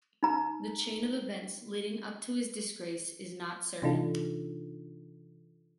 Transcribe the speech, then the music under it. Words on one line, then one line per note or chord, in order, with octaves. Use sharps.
The chain of events leading up to his disgrace is not certain.
D#4 A#5
C3 E3 D4 D#4 F4 A4